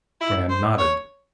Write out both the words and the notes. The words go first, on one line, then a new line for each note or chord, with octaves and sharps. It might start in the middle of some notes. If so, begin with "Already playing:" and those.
Rand nodded.
E4
C5
C#5